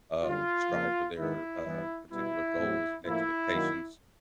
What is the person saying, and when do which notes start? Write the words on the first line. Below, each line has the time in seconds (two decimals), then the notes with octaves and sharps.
um, strive for their, uh, particular goals and expectations.
0.24 F#2 D3 G3 F4
0.70 C#3 F3 A#3
1.17 G#2 D#3 G#3 B3 E4
1.64 G2 E3 G3 B3
2.11 B2 G3 B3 E4
2.58 A2 F#3 A3 C4
3.04 A2 F3 A#3 E4
3.52 F#2 D#3 F#3 A#3